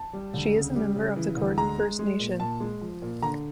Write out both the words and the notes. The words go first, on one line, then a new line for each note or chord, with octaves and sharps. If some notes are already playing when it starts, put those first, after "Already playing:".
She is a member of the Gordon First Nation.
Already playing: A5
G3
D2
C#3
G3
C#3
E3
D2
G#3 A#5
G#3
G#3
A#2
A#2 A5
G#3
F3
A#2
D3 A#5